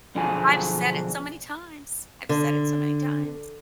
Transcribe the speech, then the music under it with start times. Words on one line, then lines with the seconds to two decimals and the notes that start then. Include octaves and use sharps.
I've said it so many times. I've said it so many times.
0.15 B1 D3 F3 D4 G#4 G#5
2.29 D3